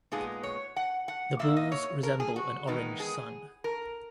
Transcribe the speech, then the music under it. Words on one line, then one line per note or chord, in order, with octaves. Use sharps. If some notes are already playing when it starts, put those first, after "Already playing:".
The balls resemble an orange sun.
A#2 G#3 B3 D#4 G#4
C#5
F#5
F#5
A#2 A#3 D#4 E5
D#5
C#5
A#4
G#4
F#4
E2 D#3 G#3 B3 D#4
G#4
A#4